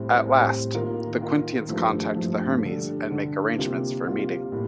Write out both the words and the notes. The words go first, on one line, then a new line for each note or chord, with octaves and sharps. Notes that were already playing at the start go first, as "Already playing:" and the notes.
At last, the Quintans contact the "Hermes" and make arrangements for a meeting.
Already playing: A2 G3 C4
A2 G3 C4
D#3 A#3 F4 A#4
D#3 A#3 F4 A#4
G2 F3 A3
G2 F3 A3
D3 G3 D4 A4
D3 G3 D4 A4
C3 G3 A#3 F4
C3 G3 A#3 F4
A2 G3 A#3